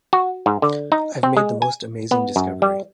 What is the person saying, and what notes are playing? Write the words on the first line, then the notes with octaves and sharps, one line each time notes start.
I've made the most amazing discovery!
F#4
G#2
D3
D#4
C4
G#3
G#5
B3
F#2
G3